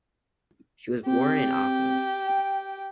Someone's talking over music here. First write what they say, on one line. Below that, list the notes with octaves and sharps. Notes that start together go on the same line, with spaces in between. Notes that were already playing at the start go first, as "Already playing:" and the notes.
She was born in Auckland.
C4 G4
G5